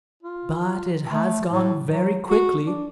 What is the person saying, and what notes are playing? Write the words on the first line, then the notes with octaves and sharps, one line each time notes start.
"But it has gone very quickly."
F4
A3
A2
F#3
F#4
D4